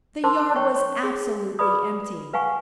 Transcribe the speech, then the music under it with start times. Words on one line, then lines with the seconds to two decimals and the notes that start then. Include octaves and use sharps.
The yard was absolutely empty.
0.24 A#4 C5 A5 C6 D6
0.56 C#5 G5 C#6
0.76 C#5 C#6
1.03 G#4
1.59 G#4 B4 D5 B5 D#6
2.33 B4 F5 F#5 G#5 C#6